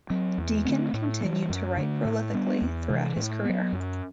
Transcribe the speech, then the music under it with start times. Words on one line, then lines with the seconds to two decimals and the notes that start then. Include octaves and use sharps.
Deakin continued to write prolifically throughout his career.
0.10 F#3 C4
0.38 E2
0.65 D3 A3 C4
0.94 A2
1.21 E3 G3
1.50 F#2
1.77 D3 A3
2.05 A2
2.34 G3 B3 D4
2.62 E2
2.89 C3 E3
3.17 A2
3.45 F#3 B3
3.73 F#2